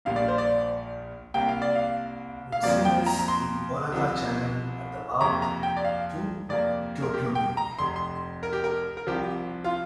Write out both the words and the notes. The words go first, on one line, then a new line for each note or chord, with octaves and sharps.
Vincennes in Uraga Channel at the mouth to Tokyo Bay.
A#1 A#2 G3 A#3 F5
D5
C5
D5
C2 C3 A#3 G5
F5
D5
F5
F5
F2 F3 A#3 D5
G5
A#5
A#5
C6
C2 C3 F3
F2 C3 A#3 A#5
A#5
G5
D5
F5
F2 C3 A#3 D5
A#4
G4
G5
A#5
F1 F2 C3 C6
C6
A#4
G4
A#4
A#4
C2 C3 F3 G4
F4